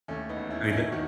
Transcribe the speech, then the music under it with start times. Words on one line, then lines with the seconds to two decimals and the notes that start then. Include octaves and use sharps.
I mean, tha
0.08 D#2 A3 C#4
0.29 B3 D#4
0.36 E1
0.50 C#4 E4
0.64 E1 D#4
0.72 C#4 E4
0.92 D#3 D#4 F#4